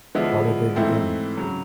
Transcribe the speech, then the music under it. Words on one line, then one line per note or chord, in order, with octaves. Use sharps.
How did they begin?
D3 F3 G#3 B3 E4
G#2 E3 A3 C4 E4
C#3 F#3